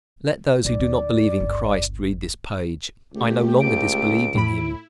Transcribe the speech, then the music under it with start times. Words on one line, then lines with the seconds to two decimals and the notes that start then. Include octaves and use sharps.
Let those who do not believe in Christ read this page; I no longer disbelieved in him.
0.64 B1 F4 D5
0.79 D#2
1.40 G1 C#2
3.13 C#2 A3 G4
3.60 C#2 D7
4.35 A2 E4 B5